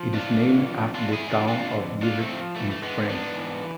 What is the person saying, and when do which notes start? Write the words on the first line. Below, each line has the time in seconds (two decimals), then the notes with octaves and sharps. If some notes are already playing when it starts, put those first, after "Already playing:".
It is named after the town of Givet in France.
Already playing: F3
0.14 A2 D4 F4
0.41 E3
0.68 F2
0.94 E3 D4 F4
1.12 E4 G#4
1.22 E3
1.30 D4 F4
1.48 D3 D4 F4
1.75 F2
2.02 F3 D4 F4
2.20 A3 C4
2.29 F3
2.56 E3 A3
2.71 A3
2.82 E3 G#3 B3
3.09 G#2 B3 D4
3.36 E3